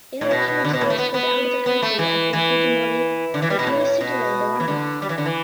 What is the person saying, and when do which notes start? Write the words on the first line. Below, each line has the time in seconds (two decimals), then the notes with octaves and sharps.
International observers pulled out of the country after Fujimori refused to delay the runoff.
0.21 A2
0.31 B2
0.48 B2
0.64 D3
0.73 B2
0.81 A2
0.90 A3
0.98 B3
1.14 B3
1.66 B3
1.82 A3
1.99 E3
2.33 E3
3.34 D3
3.42 E3
3.50 G3
3.59 B2
3.67 A2
4.01 B2
4.60 E3
4.68 D3
5.02 G3
5.09 E3
5.18 D3
5.25 E3